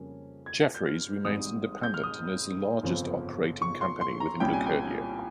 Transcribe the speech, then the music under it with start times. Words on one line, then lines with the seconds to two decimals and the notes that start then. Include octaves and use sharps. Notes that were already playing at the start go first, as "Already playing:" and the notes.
Jefferies remains independent and is the largest operating company within Leucadia.
Already playing: F2 C#3 G3 A#3 C#4
0.46 G#6
0.75 G6
0.86 F6
1.25 G#1 G#2 G3 D#6
1.83 G6
1.94 F6
2.04 D#6
2.83 G1 F2 C#3 F3 C4
3.62 C#6
3.81 C6
4.01 C6
4.20 A#5
4.40 C2 A#2 G3 C#4 G5
4.53 G#5
4.66 G5